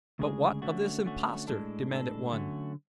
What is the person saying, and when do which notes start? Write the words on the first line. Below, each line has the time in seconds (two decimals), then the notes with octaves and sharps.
"But what of this impostor?" demanded one.
0.19 D2 C#3 G#3 D4 G#4
0.62 D3 A3 C#4 F#4
1.04 D3 A3 C#4 F#4
1.47 A2 G#3 D4 A4
1.90 A2 G#3 D4 A4
2.32 D3 F#3 A3 C#4 F#4